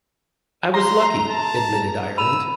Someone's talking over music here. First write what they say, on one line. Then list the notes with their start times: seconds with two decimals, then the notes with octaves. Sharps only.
"I was lucky," admitted Ireland.
0.74 A#5 C6
1.29 A5
2.18 B5 E6 D#7 F7